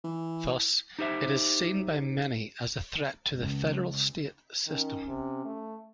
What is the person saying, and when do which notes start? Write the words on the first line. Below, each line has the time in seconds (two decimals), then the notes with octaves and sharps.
Thus, it is seen by many as a threat to the federal state system.
0.04 E3
0.99 D#4 G4 C5 E5
3.32 C#2
4.68 D#3 C#4
5.08 C3
5.45 A3